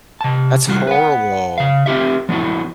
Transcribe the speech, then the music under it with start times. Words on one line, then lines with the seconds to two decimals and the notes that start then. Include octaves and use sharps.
That's horrible.
0.21 C3 A5
0.67 C3 G3 F4 F#4
0.87 B4 F#5
1.58 C#3 F5
1.86 C4 F4 G4 E5
2.29 F3 B3 D4 E4 F#4